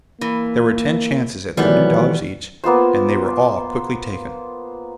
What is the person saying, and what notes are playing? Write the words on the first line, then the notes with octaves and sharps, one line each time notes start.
There were ten chances at thirty dollars each, and they were all quickly taken.
E3 A#3
D#3 E3 F#3 G3 A3 B3
A#3 B3 F4 C5